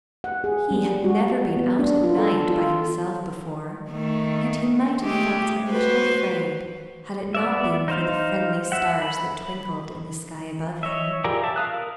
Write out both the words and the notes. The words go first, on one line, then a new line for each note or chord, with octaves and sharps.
He had never been out at night by himself before, and he might have felt a little afraid had it not been for the friendly stars that twinkled in the sky above him.
F#5
G#4
G3
F#4
B3
D4
F4
A4
F4
D#3 A3
G#3 A3 G4
F#4 B4 C5
B3 D5 E5
D#4 C5 F5
E5 F#5
B5
C#5 D#5 E5
F4 G4 G#4 A#4 D5
E5 A5
F5 D#6 F#6
A#4